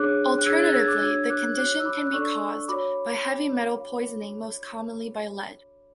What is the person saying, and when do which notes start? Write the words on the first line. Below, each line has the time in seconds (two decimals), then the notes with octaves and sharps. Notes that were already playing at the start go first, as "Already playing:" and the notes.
Alternatively, the condition can be caused by heavy metal poisoning most commonly by lead.
Already playing: D4 G#4 C#5 D6 F#6
0.38 F#6
0.46 D4 G#4 C#5 E6 G#6
0.60 F#6 A6
0.74 E6 G#6
0.88 D6 F#6
1.01 D4 F#4 C#5 E6 G#6
1.29 D6 F#6
1.57 F#4 C#5 D6 F#6
1.80 E6
1.85 B5 D6
2.07 F#6
2.13 D4 A4 D5 C#6 E6
2.68 F#4 C#5 B5 D6